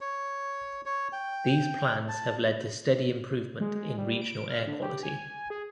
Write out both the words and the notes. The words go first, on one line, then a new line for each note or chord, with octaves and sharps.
These plans have led to steady improvement in regional air quality.
C#5
C#5
G5
A5
G#3
G#3
G3
D7
F6
D3
G4
G#5
G#4